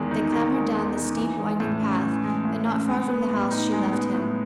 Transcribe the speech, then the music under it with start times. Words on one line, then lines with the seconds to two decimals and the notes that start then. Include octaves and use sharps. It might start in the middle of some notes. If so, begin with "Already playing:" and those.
They clambered down the steep, winding path, and not far from the house she left him.
Already playing: E2 D#3 G#3
0.11 D#4
0.32 D#3
0.54 G#3
0.75 E2
0.96 D#4
1.17 E3
1.39 G#3
1.60 A2
1.81 C#4
2.02 E3
2.24 G#3
2.45 A2
2.66 C#4
2.88 G#3
3.08 B3
3.30 A2
3.51 D#4
3.72 G#3
3.93 B3
4.15 A2